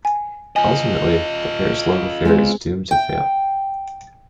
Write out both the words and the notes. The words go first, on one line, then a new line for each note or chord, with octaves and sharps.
Ultimately, the pair's love affair is doomed to fail.
G#5
F4 D#5 G#5
G#3 B3 C4
G5